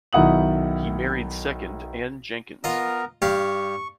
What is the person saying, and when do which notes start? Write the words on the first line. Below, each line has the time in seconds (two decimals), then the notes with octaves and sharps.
He married second Anne Jenkins.
0.13 B1 D#3 E4 F#5 D#6 F#7
2.64 B3 F4 A#4 D#5 A#5
3.22 G2 G4 F5 C#6